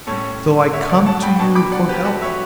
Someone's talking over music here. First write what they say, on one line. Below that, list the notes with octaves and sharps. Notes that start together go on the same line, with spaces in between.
So I come to you for help.
A2 G3 C#4 A4 C#5
C#5 E5
D5 F#5
F#5 A5
G5 B5
B2 F#3 B3 D4 A5 C#6
B5 D6
D5 F#5
G4 B4
F#4 A4
C#5 E5